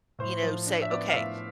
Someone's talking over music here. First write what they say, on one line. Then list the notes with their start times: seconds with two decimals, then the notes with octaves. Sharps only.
you know, say, "Okay,
0.19 A2 C5
0.42 F3
0.66 D4
0.82 E5
0.90 B3 D5
1.09 F5
1.14 A2 E5